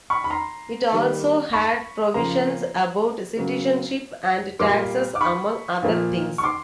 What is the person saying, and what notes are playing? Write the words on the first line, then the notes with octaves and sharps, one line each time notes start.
It also had provisions about citizenship and taxes among other things.
B5 C#6
B5
A#5 C6
D#3 G3 A#3
B5 C#6
C#3 F3 A#3 A#5 C6
C#3 F#3 A#3
A#2 G3 A#3 C6 D6
D6
B5 C#6
A#2 F3 A#3
C#6
C6 D6